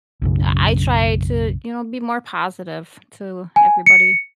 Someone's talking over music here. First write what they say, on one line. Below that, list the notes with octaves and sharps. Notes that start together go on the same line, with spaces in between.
I I try to, you know, be more positive to everybody.
B1 F#2 C#3
G#5
C#7